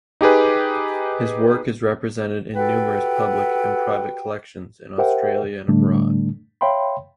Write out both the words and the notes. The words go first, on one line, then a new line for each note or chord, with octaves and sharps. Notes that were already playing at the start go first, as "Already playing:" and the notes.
His work is represented in numerous public and private collections in Australia and abroad.
D#4 G4 G#4 B4
F#4 G4 A4 B4 F#5 G5
G4 A#4 C5 E5 F#5 G5
A2 D3 G3 A3 D4
C#5 E5 F5 G5 B5 C6